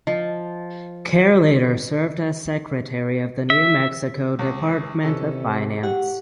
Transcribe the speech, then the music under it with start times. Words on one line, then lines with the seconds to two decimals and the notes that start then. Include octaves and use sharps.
Kerr later served as secretary of the New Mexico Department of Finance.
0.07 F3 D#5
3.50 E5
4.39 C#2
5.04 C3 E3 C#4 A4
5.83 G4 F#5